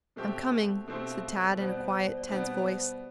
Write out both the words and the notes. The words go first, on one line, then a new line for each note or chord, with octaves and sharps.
"I'm coming," said Tad in a quiet, tense voice.
B2 A3 C4 G4
B2 A3 C4 G4 E5
F5
B2 G3 B3 C5
D5
C5
D5
C5
D5
B2 G3 B3 C5
D5
C5
D5
C5